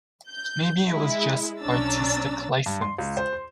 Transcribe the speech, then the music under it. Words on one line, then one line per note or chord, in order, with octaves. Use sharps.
Maybe it was just artistic license.
G6
G#3 E4
B1 C#4 D4 A#5 E6 A6
G2
C6
C#2
C5
C6